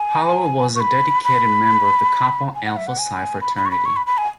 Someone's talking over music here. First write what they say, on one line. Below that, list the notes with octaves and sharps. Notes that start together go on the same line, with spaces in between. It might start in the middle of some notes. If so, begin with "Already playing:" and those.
Hollowell was a dedicated member of Kappa Alpha Psi fraternity.
Already playing: G#5
C#6
B5
B5
G#5
F#5
E5
F#5
G#5
B5
B5
C#6
B5
C#6
B5
B5
G#5